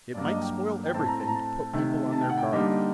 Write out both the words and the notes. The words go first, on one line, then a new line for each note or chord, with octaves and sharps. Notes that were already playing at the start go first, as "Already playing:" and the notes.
"It might spoil everything to put people on their guard."
G2 F#3 A#3 D4 D5
D#5
G5
G5
A2 A3 C4 A5
A#5
A5
A#5
A5
C3 D#3 A3
A5
G5
F#5
G5
D3 G3 A#3 D#4